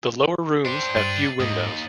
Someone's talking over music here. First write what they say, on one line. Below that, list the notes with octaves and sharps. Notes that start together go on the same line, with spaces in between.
The lower rooms have few windows.
D4 G4 C5 C#7
G2 A6 D#7 F#7
D#2 G#2 D#5 D#6